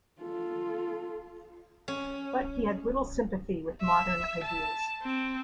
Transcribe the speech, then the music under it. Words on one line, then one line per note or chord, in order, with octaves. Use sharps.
But he had little sympathy with modern ideas.
F4 A4
C#4
E5
A5
C4